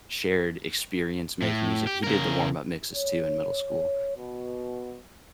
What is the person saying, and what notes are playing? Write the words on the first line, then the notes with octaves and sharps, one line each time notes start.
shared experience making music. He did the warm up mixes too in middle school.
A2
G4
C#3 A#4
C#5
B2